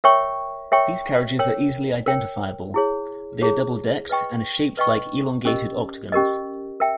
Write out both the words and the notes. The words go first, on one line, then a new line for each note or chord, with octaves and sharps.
These carriages are easily identifiable; they are double-decked and are shaped like elongated octagons.
A#4 C#5 E5 G5 C#6
A#4 C#5 E5 G5 C#6
A#4 C#5 G5
A#4 C#5 G5
E4 G#4 C#5
E4 G#4 C#5
B4 D#5 G5 C#6
B4 D#5 G5 C#6
C#4 G4 A#4 D#5
C#4 G4 A#4 D#5
A#4 E5 G5